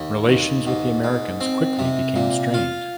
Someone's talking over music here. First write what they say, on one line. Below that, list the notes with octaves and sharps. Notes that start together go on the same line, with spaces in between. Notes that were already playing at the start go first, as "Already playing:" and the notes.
Relations with the Americans quickly became strained.
Already playing: D#2
D#2
G#2
G#2
C4
C3
A#2
F4